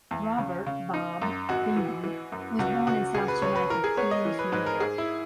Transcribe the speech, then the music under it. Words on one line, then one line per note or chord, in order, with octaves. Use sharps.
Robert "Bob" Beamon was born in South Jamaica, Queens, New York.
E2
C#3
C#3
D#4
F#2
G#1 F#4
E3
E3
F#2
C#2 F#4
C#2 F#4
C#2 G#4
B4
C#2 C#5
B4
E3 A#4
G#4
B3 C#5
D#5
E3
B4
G#2 B4
A#4
G#2 G#4
E4